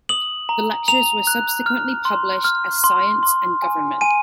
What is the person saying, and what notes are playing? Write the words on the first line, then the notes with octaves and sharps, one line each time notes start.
The lectures were subsequently published as Science and Government.
D#6 F#7
A#5
A#5 F7
F#6
F6
C6
F6
C6
C6
G#5
G#5 D#7